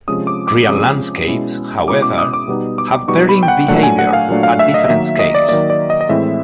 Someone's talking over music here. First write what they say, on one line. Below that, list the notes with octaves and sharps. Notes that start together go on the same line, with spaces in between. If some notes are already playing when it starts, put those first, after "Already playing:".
Real landscapes however, have varying behaviour at different scales.
C3 F3 G#3 C#4 D#6
D6
D6
C3 F3 G#3 C#4 D#6
B2 G#3 C#4 E4
B2 G#3 C#4 E4 D6
D6
D#6
D6
B2 G3 B3 D#4
D6
B2 G3 B3 D#4 C#6
B5
G5
F#5
A#2 F#3 A3 D4 F#5
G#5
F#5
F5
A#2 F#3 A3 D4
F5
E5
D#5
D#3 F#3 A#3 E5
D#5
D5
D#3 F#3 A#3 D5
D5
D#5
D#5
A2 E3 G#3 C4 E4 E5